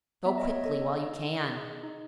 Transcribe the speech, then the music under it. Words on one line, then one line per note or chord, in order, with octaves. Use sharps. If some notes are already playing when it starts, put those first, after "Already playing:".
"Go quickly, while you can!"
B3 E5
D#5
C#5
A4 D#5
D#4
G#4
D#4